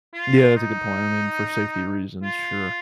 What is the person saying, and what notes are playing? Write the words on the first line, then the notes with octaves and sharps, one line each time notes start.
Yeah, that's a good point, I mean, for safety reasons, sure.
F4
D#4
F4